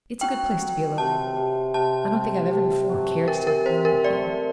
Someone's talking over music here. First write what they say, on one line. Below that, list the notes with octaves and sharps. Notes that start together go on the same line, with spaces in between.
"It's a good place to be alone in--I don't think I've ever before cared to talk with any one here."
F#3 G5
F#3
C3 A5
C3
C3 A5
C3
C3
F#3
G4 A#4
A#4
C4 C5
A#4
A3 D5